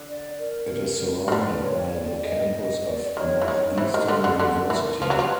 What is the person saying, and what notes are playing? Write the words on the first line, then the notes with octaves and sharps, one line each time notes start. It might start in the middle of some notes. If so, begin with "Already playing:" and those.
It is surrounded by the campus of Northeastern University.
Already playing: D3
D5
A#4
C#3
D3 B4
C#5
D5
D#5
D#5
D5
D#3 C#5 D5
E3
D#3 C#5
E3 C5
D#3 A#4
D3 A4
D3 G#4
D3 A4
E3 B4
A#4
F3 C5
F#3 B4
F3